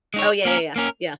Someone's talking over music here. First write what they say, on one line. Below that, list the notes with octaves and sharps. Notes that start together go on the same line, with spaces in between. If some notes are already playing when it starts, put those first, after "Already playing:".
Oh, yeah, yeah, yeah. Yeah.
G#3 D#4 C#5
A#3 C#4 A#4
A#3 C#4 A#4